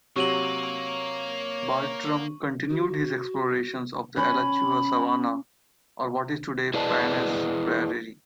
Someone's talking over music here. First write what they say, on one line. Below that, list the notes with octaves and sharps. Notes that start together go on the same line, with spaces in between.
Bartram continued his explorations of the Alachua Savannah, or what is today Paynes Prairie.
C3 F#3 A#3 C#5 C#6 D#7 F#7
F#4
C#4 B5
E4 G#4 B4 D5 D#5 A5